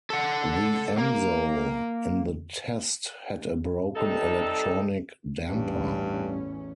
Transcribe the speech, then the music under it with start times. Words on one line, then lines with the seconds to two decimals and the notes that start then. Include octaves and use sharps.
The Enzo in the test had a broken electronic damper.
0.10 A4 F#5
0.98 A#3
3.96 C3 G3 D#4 A4
5.49 A1 E2 G2 C#4